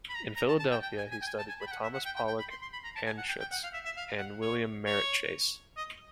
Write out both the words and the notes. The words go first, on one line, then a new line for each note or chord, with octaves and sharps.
In Philadelphia he studied with Thomas Pollock Anshutz and William Merritt Chase.
B5
A#5
A#5
A5
A5
G5
G5
G#5
G#5
G5
G#5
A5
G#5
B5
G5
F#5
E5
F#5
G5
G5
G5
B5
C6
C6
B5
A#5
A5
G#5
F#5
G5
G5
F#5
F5
E5
E5
F5
F#5
C#5
C#5
D#5